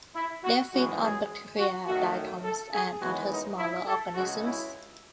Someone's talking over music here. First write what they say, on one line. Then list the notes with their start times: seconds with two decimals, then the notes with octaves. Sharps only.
They feed on bacteria, diatoms, and other smaller organisms.
0.15 E4
0.43 F#4
0.72 G#1 F#2 E3 G#3 F#4
1.01 G#4
1.57 F#4
1.86 F#2 D#3 A3 F#4
2.44 A4
2.73 G#4
3.00 D#2 C#3 E3 G#3 B3 F#4
3.29 D#4
3.58 E4
3.86 A4
4.15 C#2 C#3 G#3 F#4
4.43 E4